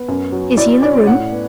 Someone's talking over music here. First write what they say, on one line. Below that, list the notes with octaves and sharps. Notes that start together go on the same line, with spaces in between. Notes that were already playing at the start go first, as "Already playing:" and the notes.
Is he in the room?
Already playing: B3
F#2
F#3
E4 D5
C#4 D5
A2 F#5
B3